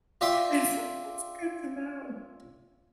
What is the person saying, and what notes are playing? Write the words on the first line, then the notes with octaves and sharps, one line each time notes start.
It's so it's good to know.
F4 D5 E5 G5 C6 D6